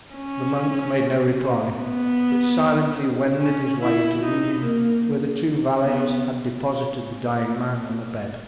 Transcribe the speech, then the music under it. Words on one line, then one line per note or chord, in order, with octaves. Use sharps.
The monk made no reply, but silently wended his way to the room where the two valets had deposited the dying man on a bed.
C#4
B3
C#4
E4
D#4
A#3
B3